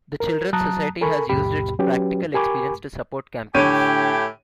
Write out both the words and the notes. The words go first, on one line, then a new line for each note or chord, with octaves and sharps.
The Children's Society has used its practical experience to support campaigns.
A#4
F#3 A5 A#5 D#6 F#6
A4 A#4 G#5 B5 C#6
C#2 F#2 A#2 G4 B5
F#3 C#4 F#4 G4 B4
G4 A#4 G#5 B5 C#6 D6
A2 D3 G4 C#5 G#5 D#7